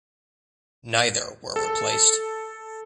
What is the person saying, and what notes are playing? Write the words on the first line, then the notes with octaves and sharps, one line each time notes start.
Neither were replaced.
A4